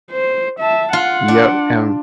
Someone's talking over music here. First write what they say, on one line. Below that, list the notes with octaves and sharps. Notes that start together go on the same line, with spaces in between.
Yeah, and
C5
E5 A5
F4 F#5
D4